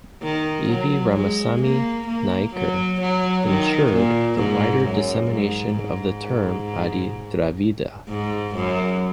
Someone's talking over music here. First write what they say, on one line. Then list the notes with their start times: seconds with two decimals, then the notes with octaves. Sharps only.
E. V. Ramasami Naicker ensured the wider dissemination of the term "Adi Dravida".
0.23 D#3
0.69 F#3
1.15 G#3
1.61 A#3
2.07 A#3
2.54 F#3
3.00 F#3
3.47 D#3
3.93 A#2
4.38 G#2
4.85 F#2
5.31 G#2
5.77 G#2
8.08 G#2
8.55 F#2